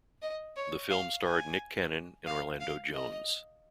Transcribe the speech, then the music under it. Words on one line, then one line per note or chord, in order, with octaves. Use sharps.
The film starred Nick Cannon and Orlando Jones.
D#5
C#5
F5
G#5
F5
F5
D#5